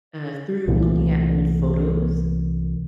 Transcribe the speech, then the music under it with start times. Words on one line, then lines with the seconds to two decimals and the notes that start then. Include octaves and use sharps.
uh through looking at old photos,
0.67 C2 A#2 E3 A3